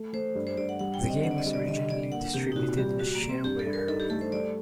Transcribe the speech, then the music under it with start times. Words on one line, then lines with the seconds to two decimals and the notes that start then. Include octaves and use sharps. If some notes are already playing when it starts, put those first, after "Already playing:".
The game was originally distributed as shareware.
Already playing: A3
0.13 A3 C5
0.35 G2
0.47 C5
0.57 G2 D5
0.69 F#5
0.79 G3 F#5
0.94 G5
1.02 C4
1.09 D#5
1.24 D3 F#5
1.31 D5
1.38 D#5
1.46 G3
1.53 D5
1.68 D3 D#5
1.90 D3 D5
2.12 A#3 F#5
2.34 C3 G4
2.52 D#4
2.56 A#2 F#4
2.78 G3 G4
2.99 G3 F#4
3.15 A#3
3.22 G3
3.29 C4
3.44 G2 G4
3.59 A4
3.66 G2
3.73 A#4
3.88 D#4 A4
4.00 G4
4.10 A3 A4
4.21 C5
4.32 G3 D5